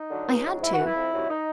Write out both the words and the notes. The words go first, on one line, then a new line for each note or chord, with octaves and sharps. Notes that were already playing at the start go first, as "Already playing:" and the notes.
I had to.
Already playing: D#4
D3 F#3
C#2
C#3 F#3
G#2 E4
F#4
E3
E4
F2
C3 D#3 F#3
D#4